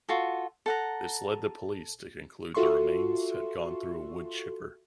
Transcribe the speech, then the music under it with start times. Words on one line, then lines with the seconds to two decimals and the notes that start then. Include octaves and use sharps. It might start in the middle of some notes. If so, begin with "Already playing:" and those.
This led the police to conclude the remains had gone through a woodchipper.
0.09 F4 F#4 A4
0.66 A4 F#5 A#5
2.54 F4 F#4 A4 E5 C6 C#6